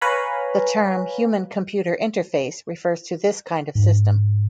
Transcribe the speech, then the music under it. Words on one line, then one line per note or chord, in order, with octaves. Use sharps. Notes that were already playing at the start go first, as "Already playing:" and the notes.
The term "human-computer interface" refers to this kind of system.
B4 C#5 F5 G#5 A#5 B5
G#2